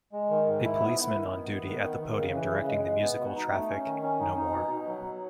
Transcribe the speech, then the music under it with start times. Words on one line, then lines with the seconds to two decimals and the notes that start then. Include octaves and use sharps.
A policeman on duty at the podium directing the musical traffic, no more.
0.13 G#3
0.30 D#3
0.47 G#2
0.64 E4
0.80 B3
0.97 E4
1.14 D#3
1.31 B3
1.49 B3
1.66 D#3
1.82 D#3
2.00 D#3
2.16 C#3
2.33 E3
2.50 C#3
2.67 G#3
2.85 G#3
3.01 B3
3.18 B2
3.35 D#4
3.52 A3
3.69 C#4
3.86 D#3
4.03 C#4
4.20 D#4
4.37 D#4
4.53 B2
4.71 B2
4.88 F#3
5.04 F#3